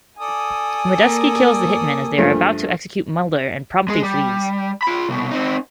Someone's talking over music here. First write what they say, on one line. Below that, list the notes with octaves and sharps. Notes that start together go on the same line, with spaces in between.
Modeski kills the hitmen as they are about to execute Mulder and promptly flees.
A4 D5 G#5 D#6
A#3 A#4
G2 F3 A3
G#3 G#4
G3
F4 B5
C2 B2
C4 D#4